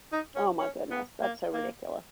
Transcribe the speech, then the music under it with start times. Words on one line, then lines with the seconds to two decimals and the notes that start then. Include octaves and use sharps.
Oh my goodness. That's so ridiculous.
0.13 D#4
0.36 C#4
0.59 C#4
0.91 B3
1.22 A#3
1.54 A#3